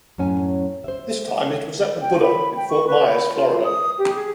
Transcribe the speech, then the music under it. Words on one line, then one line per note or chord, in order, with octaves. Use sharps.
This time it was at The Buddha in Fort Myers, Florida.
F#2 A2 C#4 G#5
C5 E5
G5
B5
G5
C#6
B4
B5
F4
D#6
G4
G#4